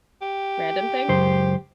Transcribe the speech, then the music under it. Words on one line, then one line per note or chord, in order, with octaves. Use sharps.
random thing?
G4
C#2 F#2 C5